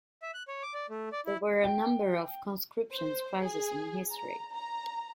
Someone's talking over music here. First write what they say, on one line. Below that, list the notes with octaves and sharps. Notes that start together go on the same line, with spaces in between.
There were a number of conscription crises in history.
E5
F#6
C#5
D6
D5
A3
D5
E4
G5
C5
G#4
A#5
A#5